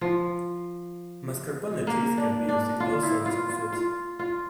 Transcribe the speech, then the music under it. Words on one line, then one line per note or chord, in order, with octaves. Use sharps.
Marscapone cheese can be used in all sorts of foods.
F3
A#3
D4
D4
F4
E4
F4
F4
F4
F4